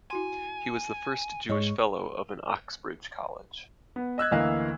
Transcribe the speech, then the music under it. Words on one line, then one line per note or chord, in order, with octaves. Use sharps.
He was the first Jewish fellow of an Oxbridge college.
E4 F#4 G#5 C6
G#2 G#3 C#5 D#5 C#6
B3
D#5 E6 F#6 G#6
D2 E3 A#3 D#5 F5 F#6